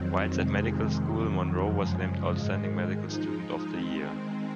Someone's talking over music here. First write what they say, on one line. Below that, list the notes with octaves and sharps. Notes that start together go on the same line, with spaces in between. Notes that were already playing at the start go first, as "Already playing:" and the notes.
Whilst at medical school Monroe was named Outstanding Medical Student of the Year.
Already playing: F2 D#3 F#3 C4
F2 C3 D#3 G#3
F2 C3 D#3 F#3
F#2 C#3 F3 G#3
G#2 D#3 G#3
F3 G#3 D#4
D#3 G#3 C4